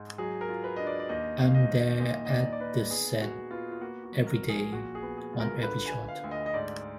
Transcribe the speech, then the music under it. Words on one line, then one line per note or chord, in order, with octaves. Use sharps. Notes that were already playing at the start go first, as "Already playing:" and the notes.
I'm there at the set every day, on every shot.
Already playing: G#2
F#3 G#4
A#4
F4
B4
D4 D#5
D5
D5
D#2 D#5
D#3 F5
D#5
D#3
A#2 D#5
D#5
D#4 D5
D5
D#4 B4
B3 G#4
A#2 F#4
B3 F4
F4
A#3 F#4
F#4
F3
A#4
F3
G#4
A#2 F#4
G#4
B3
G#4
F4
A#4
D3 B4
G#5
D3
F5
D2
D#5
D#5
G#2 D5